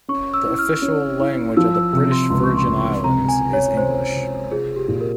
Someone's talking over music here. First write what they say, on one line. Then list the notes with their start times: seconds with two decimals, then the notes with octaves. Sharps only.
The official language of the British Virgin Islands is English.
0.08 C#4 C#6
0.34 E6
0.46 E4
0.59 F6
0.82 C#4
1.20 E4
1.57 F3 E6
1.74 E6
1.93 C3 E6
2.12 C6
2.30 C#2 C6
2.44 C#6
2.57 C6
2.67 C#2
3.03 C3 A#5
3.29 G#5
3.40 C3
3.53 C#5
3.77 C3 C5
4.14 C3
4.51 F4 G#4
4.76 G4
4.88 A#2
5.01 A#4